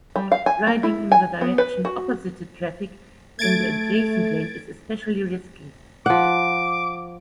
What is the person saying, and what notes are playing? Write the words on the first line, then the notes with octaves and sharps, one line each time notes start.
Riding in the direction opposite to traffic in the adjacent lane is especially risky.
G3
F5
G#5
A#3
E4
G#5
B3
B4
F#4
A3 G#6 A6 D7
F3 F#5 D6